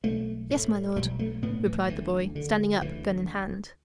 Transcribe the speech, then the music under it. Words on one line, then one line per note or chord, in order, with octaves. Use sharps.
"Yes, my Lord," replied the boy, standing up, gun in hand.
B1 A3
A2
B1 G3
A3
A2 B3
E3
D2 E3
D3
D2 E3